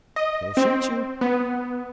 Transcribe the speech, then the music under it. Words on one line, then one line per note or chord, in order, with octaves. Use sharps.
"He'll shoot you."
D#5
C4
B3